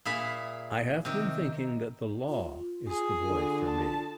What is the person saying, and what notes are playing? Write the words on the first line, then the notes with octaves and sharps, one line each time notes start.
I have been thinking that the law is the boy for me.
A#2 G#4 E5 F5 B5
C3 D#3
F4
G#4
D3
A5